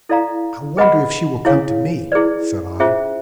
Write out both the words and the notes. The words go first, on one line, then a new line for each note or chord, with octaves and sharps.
"I wonder if she will come to me?" said I.
E4 A4 D5 F5 A#5
G#4 B4 D#5 F#5 B5
E4 G#4 C#5 F5 G#5
E4 G#4 B4 D5
C#4 F4 G#4 C5 E5